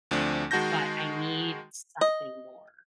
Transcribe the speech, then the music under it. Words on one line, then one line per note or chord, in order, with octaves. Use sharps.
but I need something more,
D2 F3 A3 C4 D4
D#3 G#3 F#4 A5 G6 A#6
D#5